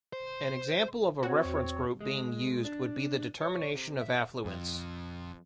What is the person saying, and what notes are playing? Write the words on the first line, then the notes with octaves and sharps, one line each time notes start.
An example of a reference group being used would be the determination of affluence.
C5
C4 F#4 C#5
E2
G#3
D4
C#5
C3
E5
F2